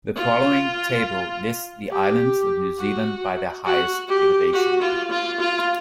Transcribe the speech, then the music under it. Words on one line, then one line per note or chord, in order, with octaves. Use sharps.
The following table lists the islands of New Zealand by their highest elevation.
F4
G4
F#4
F#4
G4
F#4
F4
F4
F4